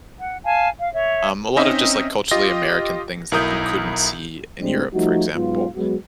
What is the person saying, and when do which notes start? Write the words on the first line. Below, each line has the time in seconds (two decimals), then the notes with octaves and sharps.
um, a lotta just, like, culturally American things that you couldn't see in Europe, for example,
0.20 F#5
0.45 F5 G#5 A5
0.79 F5
0.94 C#5 E5
1.56 C4 C#4 D#4 D#5 E5
2.31 F4 G4 D#5 A#6
3.32 B1 E4 A#4 A#5 D#6 G6
4.59 A2 G3 G#3 C4 D4
4.93 F3 G3 A3 D#4 F#4
5.35 G#2 F#3 B3 F4
5.76 F#3 G#3 B3 F#4